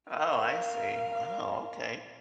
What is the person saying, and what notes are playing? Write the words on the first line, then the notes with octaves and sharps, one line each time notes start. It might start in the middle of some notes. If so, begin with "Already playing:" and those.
Oh, I see. Wow, okay.
A#4 F5